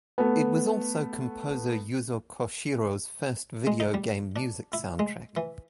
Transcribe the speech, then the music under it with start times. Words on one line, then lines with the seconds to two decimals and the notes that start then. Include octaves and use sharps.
It was also composer Yuzo Koshiro's first video game music soundtrack.
0.18 A3 B3
3.67 G#3
3.80 D#4
3.94 G3
4.36 D4
4.73 E4
4.99 G#3
5.37 E3